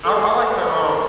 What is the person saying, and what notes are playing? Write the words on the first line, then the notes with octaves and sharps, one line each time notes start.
I I like to, um
A4
G#4
A4
B4
C5
A4
A#4